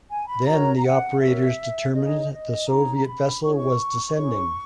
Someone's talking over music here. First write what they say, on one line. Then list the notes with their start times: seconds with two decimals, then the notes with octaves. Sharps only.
Then the operators determined the Soviet vessel was descending.
0.09 G#5
0.28 B5
0.46 F#4 A#4 C#5 A#5
0.83 F#5
1.20 F#4 A#4 C#5 E5
1.94 D#4 G#4 C#5 D#5
2.31 D#5
2.68 D#4 G#4 C#5 A#5
3.04 B5
3.41 C#4 E4 G#4 C#5 C#6
3.56 C#6
4.15 C#4 E4 G#4 C#5 C#6